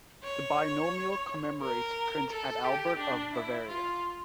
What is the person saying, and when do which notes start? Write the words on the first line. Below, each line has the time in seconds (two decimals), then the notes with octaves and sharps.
The binomial commemorates Prince Adalbert of Bavaria.
0.24 C#5
1.61 A#4
2.30 A4
2.64 G4
2.99 D4
3.33 E4
3.68 F4